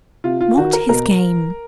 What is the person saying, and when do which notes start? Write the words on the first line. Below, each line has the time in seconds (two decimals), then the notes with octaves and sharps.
What his game?
0.24 C3 F4
0.41 F4
0.57 D#3 F#4
0.73 A#4
0.89 B2 A#4